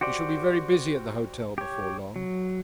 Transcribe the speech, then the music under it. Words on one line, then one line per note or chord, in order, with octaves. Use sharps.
We shall be very busy at the hotel before long.'
F#4 G4 C5 D5
G4 C#5
F#3